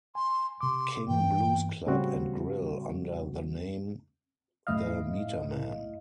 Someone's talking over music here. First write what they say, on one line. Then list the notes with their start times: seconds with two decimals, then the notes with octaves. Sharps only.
King Blues Club and Grill under the name The Metermen.
0.15 G#5 C6
0.61 C3 C6 D6
1.08 G2 E3 G5
1.86 A2 C#3 G3 C4 F#4
4.67 F#2 A2 E4 D#5 F5